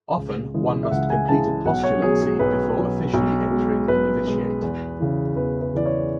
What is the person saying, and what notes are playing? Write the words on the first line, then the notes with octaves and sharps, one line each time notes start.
Often one must complete a postulancy before officially entering the novitiate.
C#2
C#3 E3 G#3
E5
C#2 F#5
G#5
C#3 E3 G#3 A5
B1 F#5
C#5
B2 F#3 G#4
G#4
B1 B4
B2 F#3
B1
B2 G#3
B1 B4
B2 G#3
E2
C#3 E3
E2 B4
B4
C#3 E3 D5
C#5